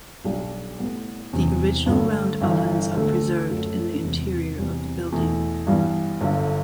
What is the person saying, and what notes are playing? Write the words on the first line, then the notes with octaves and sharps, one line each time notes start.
The original round ovens are preserved in the interior of the building.
B1 B2 G3 D4
A2 G3 B3
E1 E2 C3
G2 D3 F#3 A3
G1 G2 E3
D2 D3 A3
F#2 F#3 A3
E1 E2 C3
E2 C3 G3
E2 B2 A3 E4
G2 E3 G3 B3
G1 G2 D3 F#3